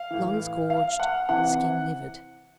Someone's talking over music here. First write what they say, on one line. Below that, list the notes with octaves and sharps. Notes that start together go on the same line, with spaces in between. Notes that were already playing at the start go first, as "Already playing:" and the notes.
Lungs gorged, skin livid.
Already playing: F5
A2 E3
F5
F#5
C3 E3 F#5